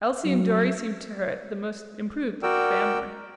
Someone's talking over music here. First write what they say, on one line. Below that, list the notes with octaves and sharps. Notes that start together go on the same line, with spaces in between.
Elsie and Dorry seemed to her the most improved of the family.
F#3
F#4 A#4 D5 G5 E6